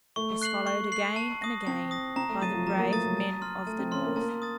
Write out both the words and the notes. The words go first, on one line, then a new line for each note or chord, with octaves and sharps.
It was followed again and again by the brave men of the North.
A3 C#6
F#6 C7 F#7
C#6
F#6 C7 F#7
A5
D#6 A#6
C4 A5
D#6 A#6
C4 A#5
A3
F#3 D#6 A6 D#7
F3
F#3 A#5
A#3
A3 D#6 A6 D#7
F#3
A5
C6 F6
A3 A5
C4
C#4 C6 F6
A#3
A#3 A5
D#6 A6